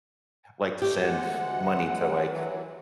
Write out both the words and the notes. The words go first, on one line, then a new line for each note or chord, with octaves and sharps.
liked to send money to, like,
A3 G4
D2 G#3 F#5
E3 F#3